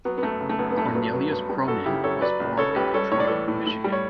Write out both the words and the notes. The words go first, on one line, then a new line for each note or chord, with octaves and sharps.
Cornelius Cronin was born in Detroit, Michigan.
F#3 B3
B3
F#2 A3
C#3
A3
F#2 B3
B3
G2 A3
A3
F#3 B3
F#3 B3
G2 B3
G3 B3
F#2 F#4 A4
C#3 E4 G4
F#2 A4 C#5
F#3 B4 D5
C#2
C#3 A4 C#5
A4
C#2 G4 B4
G3 A4 C#5
A2 C#5
D5
E3 A4 C#5
A2
A2
G3
C#5